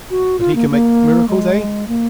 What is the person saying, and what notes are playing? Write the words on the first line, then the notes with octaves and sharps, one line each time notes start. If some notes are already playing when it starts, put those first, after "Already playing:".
That he can make miracles, eh?
F#4
F4
A#3
A#3
G#3
A#3